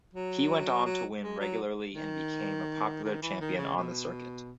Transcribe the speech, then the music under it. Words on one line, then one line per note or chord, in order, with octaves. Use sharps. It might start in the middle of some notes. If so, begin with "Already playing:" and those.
He went on to win regularly and became a popular champion on the circuit.
F#3
F#3
G#3
F#3
D#3
D#3
E3
D#3
C#3
B2